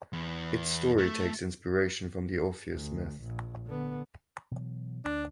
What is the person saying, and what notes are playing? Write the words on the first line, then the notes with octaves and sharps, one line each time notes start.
Its story takes inspiration from the Orpheus myth.
E2
A3
D2
A#1
D3 B3
B2 E3 F#3
D2 D4